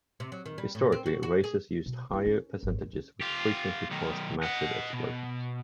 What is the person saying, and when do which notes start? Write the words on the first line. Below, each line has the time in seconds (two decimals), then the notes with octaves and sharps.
Historically, racers used higher percentages which frequently caused massive explosions.
0.20 C3
0.32 F#3
0.46 D#3
0.58 G3
0.75 A2
0.92 C4
1.06 F#4
1.23 F#4
1.44 G#4
1.86 B2
2.10 A#3 E4
2.26 C#4
2.63 G#1
2.79 F2
2.93 C#4
3.22 F4 G4
3.90 B1 D#3
4.43 D#5 F#5
4.93 B2